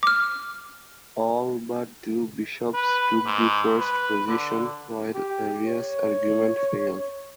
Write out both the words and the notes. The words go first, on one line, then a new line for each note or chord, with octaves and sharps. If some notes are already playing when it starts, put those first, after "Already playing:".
All but two bishops took the first position; while Arius' argument failed.
D6 F6
B4
G#2
B4
D3
G4
C#5